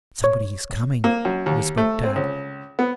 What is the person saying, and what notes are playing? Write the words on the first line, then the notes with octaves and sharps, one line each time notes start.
"Somebody is coming," whispered Tad.
C#5
A#3
F#2
D#2
A3
C4
C#2
B3